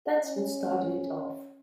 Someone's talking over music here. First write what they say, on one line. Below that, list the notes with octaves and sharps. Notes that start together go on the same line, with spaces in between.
That's what started it off.
C#4